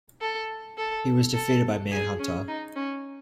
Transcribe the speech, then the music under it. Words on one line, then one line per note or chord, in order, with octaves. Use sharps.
He was defeated by Manhunter.
A4
A4
A4
G#4
C#4
D#4
C#4